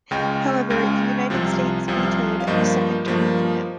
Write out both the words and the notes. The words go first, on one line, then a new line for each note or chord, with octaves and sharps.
However, the United States vetoed a second term for him.
C#2 C#3 G#3 D#5 G5
C#2 C#3 G#3
C2 C3 F3
C2 C3 F3
F5
G2 F3 A#3 C5 D#5
G2 F3 A#3